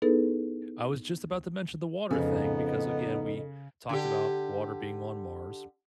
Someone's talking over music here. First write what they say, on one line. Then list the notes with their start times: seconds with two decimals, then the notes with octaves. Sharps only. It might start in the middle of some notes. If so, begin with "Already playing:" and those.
I was just about to mention the water thing because, again, we talked about water being on Mars.
0.02 B3 D#4 E4 G#4 A4 B4
2.11 F2 C#3 F3 B3 D#4 A4 B4 G#5
3.89 D3 G4